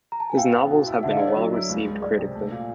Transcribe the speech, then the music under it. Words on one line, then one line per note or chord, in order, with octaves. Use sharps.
His novels have been well-received critically.
A#5
A5
G#5
E4 F5 G5
B3
B2
E4
D3 E5 F#5
D#5 F5
E4 D5
C#5 D#5
F#3 D5
E4
C#2
G#3
G#3 D5
C3
A3
A#2